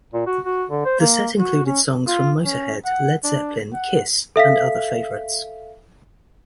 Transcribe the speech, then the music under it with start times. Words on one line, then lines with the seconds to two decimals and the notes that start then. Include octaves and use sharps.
The set included songs from Motorhead, Led Zeppelin, Kiss and other favorites.
0.14 A#2
0.27 F#4
0.45 F#4
0.70 D3
0.85 C5
1.00 A#3
1.38 F#4
1.66 C#4
2.07 F4
2.45 C#4
2.85 F#5
3.24 D4
3.73 F#5
4.36 A4 E5 F5 B6